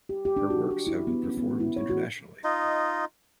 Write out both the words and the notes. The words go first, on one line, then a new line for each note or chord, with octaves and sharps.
Her works have been performed internationally.
G4
G4
D4
F#4
G4
E4
B3
C#4
B3
E4
C#5
F#4
D#4 F4 D#5